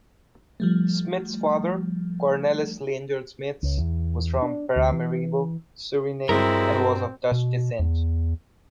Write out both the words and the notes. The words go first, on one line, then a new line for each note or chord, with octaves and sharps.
Smits's father, Cornelis Leendert Smits, was from Paramaribo, Suriname, and was of Dutch descent.
F3 G3 A3
C#2
E2
D4
D2
E3
G2 F#3 G#3 C4 E4 A#4
B2
E2